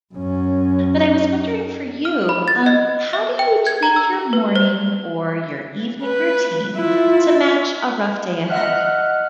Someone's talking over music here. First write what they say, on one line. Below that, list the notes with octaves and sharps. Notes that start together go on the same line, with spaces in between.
but I was wondering for you, um, how do you tweak your morning or your evening routine to match a rough day ahead?
F#2 C#4
F6
B5
A6
D#5
E5
G5
G#6
A#5
E6
B4
C5
B4
E4 F4
D#5 E5 F#5 F6 F#6